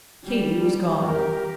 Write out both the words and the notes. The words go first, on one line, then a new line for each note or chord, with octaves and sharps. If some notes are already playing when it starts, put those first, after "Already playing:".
Katy was gone.
G3
G4 A#4